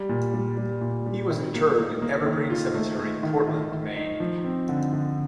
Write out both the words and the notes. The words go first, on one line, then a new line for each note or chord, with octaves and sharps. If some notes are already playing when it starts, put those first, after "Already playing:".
He was interred in Evergreen Cemetery, Portland, Maine.
Already playing: G3
A#2
G3
G3
A#2
G3
D#3
A#3
A#3
A#3
D#3
F4
A3
A3
D#3
D#3
D#3
D#4
F3
C4
D3
D3